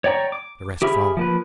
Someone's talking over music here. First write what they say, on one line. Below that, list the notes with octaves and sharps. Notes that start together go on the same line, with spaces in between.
The rest followed.
C#5 D5 G5 A#5 C#6
D6
G4 G#4 E5 B5 F6
F3 A#3 B4